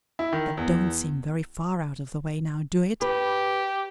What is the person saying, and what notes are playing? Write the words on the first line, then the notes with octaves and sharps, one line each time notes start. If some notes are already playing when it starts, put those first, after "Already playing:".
That don't seem very far out of the way now, do it?'
E4
D#3
E2
G4 B4